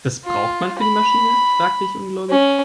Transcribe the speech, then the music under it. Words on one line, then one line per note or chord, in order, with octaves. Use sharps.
"Das braucht man für die Maschine?", fragte ich ungläubig.
F4
B5
C#4